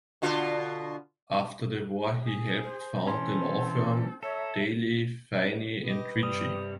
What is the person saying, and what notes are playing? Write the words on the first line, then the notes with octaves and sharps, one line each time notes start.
After the war he helped found the law firm, Daley, Phinney and Ritchie.
B2 D3 F4
G#4
C5
E3 C4 C#4 A4 C6
A4 C#5 E5 A#5
G4 B4 D#5
G2 C3 G3 D#6